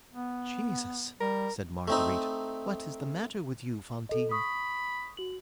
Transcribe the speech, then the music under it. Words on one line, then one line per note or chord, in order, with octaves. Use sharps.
"Jesus!" said Marguerite, "what is the matter with you, Fantine?"
B3
G3 A#4
A3 C4 D#4
A4 D#5
B5 C#6 D#6
F#4 F#7